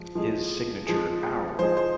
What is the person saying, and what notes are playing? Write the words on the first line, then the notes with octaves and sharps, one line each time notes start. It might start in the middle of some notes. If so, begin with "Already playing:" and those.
His signature ow!
Already playing: F3 G#3
F3 G#3 D#4 G#4
F3 G#3 D#4 G#4
F3 G#3 D#4 G#4 C5
C5